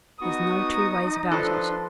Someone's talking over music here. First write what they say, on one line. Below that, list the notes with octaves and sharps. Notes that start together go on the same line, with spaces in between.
There's no two ways about it.'
B3 D#4 F#4 C#6 D#6
F3 D4 A4 B4 C6